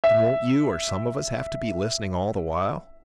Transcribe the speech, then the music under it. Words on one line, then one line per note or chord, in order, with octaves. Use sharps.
"Then won't you or some of us, have to be listening all the while?"
E5